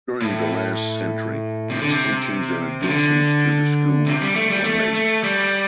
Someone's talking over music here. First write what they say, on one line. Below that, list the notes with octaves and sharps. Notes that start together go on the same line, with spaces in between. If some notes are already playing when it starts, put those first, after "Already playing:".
During the last century extensions and additions to the school were made.
A2
C3
D3
C3
F3
D3
C3
G3
A3
G3
A3
A3
G3